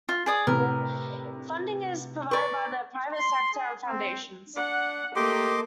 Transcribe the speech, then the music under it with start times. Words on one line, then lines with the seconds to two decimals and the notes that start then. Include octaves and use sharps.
Funding is provided by the private sector and foundations.
0.09 F4
0.26 G#4 D5 D#6
0.47 A2 C3 A#4 B4
2.31 B4 D5 A#5 C#6
3.12 C6
3.52 G#4
3.87 C4
4.56 D4 F#5
5.16 A3 A#3 G4 D#5 C6 D6